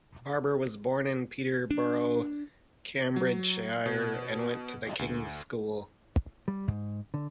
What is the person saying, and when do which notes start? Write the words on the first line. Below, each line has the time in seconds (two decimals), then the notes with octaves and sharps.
Barber was born in Peterborough, Cambridgeshire, and went to The King's School.
1.71 D4
3.16 F#3
3.86 B2
4.99 D2
6.48 G3
6.68 G#2
7.14 D3